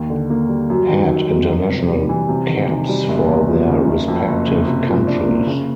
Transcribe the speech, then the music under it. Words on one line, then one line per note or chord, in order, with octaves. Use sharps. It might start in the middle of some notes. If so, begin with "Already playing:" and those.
Had international caps for their respective countries.
Already playing: D#2
D3
A#3
G3
F#2
D#3
F#2
F#3
F2
C3
G3
E3
C3
D#3
C3
G3
F#1
E2
F3
C#3
F#1
F2
F#1
C#3
C3
F3
D4
A#3
C#3